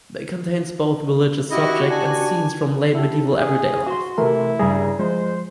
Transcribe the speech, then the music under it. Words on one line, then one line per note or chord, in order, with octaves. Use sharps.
They contains both religious subjects and scenes from late medieval everyday life.
E4 F#4 G4 D#5
D4 G#5
E4 G4 A4
G#4
F#4 C6
C3 E3 A3 E4 A#4
G2 C#3 G3 G#4 A#5
F3 G#3 C5